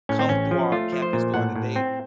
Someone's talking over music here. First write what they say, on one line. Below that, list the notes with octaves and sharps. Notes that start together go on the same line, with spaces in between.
come through our campus throughout the day
A2 C#4
C4
A1 C#4
F3
A3 F4
F3
C5
A#2
A2 F#5
A2
C4